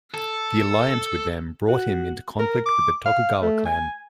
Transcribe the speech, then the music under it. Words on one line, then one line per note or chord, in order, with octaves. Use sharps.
The alliance with them brought him into conflict with the Tokugawa clan.
A4
F#4
A#4
D6
F5
A3
G#5